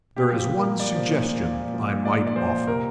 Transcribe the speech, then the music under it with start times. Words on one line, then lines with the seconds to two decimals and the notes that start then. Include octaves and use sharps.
"There is one suggestion I might offer."
0.16 A#2 G4
0.32 F3
0.38 G4
0.48 F3
0.58 A#4
0.63 A#2
0.80 A#2 D5
0.95 F3
1.11 A#2
1.26 A#2
1.42 A#2
1.58 A#2
1.74 F3
1.89 A#2
2.05 A#2 D5
2.21 A#2
2.27 D5
2.36 F3 C5
2.53 A#2
2.67 C3 A#4